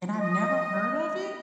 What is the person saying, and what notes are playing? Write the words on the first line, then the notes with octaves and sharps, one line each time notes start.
And I've never heard of it?
D#5